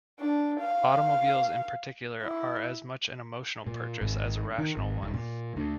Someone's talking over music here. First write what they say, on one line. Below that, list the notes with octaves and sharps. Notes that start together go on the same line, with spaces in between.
Automobiles in particular are as much an emotional purchase as a rational one.
D4
F5
E4
A#2
G#1
D#3
G#1
D#1
A#2
D2